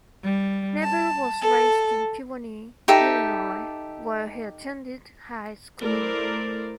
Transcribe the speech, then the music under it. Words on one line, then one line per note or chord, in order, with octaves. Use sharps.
Neville was raised in Kewanee, Illinois, where he attended high school.
G3
A5
A4
D#4 G4 A4 E5
A3 E4 A#4 C5 D5